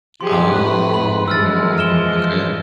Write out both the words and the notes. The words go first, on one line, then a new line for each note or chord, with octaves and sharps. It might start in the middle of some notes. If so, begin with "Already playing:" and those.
Oh, okay.
F3 G4 G#4 C6
F2 B4
F#7
E3 F3 G#3 E6 F6 A6
F6 E7 G7